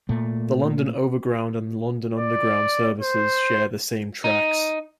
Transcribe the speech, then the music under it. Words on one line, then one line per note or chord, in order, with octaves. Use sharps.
The London Overground and London Underground services share the same tracks.
A#2 A3
D5
C5
D#4